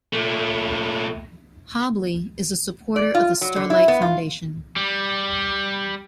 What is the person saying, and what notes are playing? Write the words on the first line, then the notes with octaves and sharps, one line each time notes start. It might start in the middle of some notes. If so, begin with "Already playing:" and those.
Hobley is a supporter of the Starlight Foundation.
A#2 A3
D5
F4
F#3
D3
E4
B3
F4
G3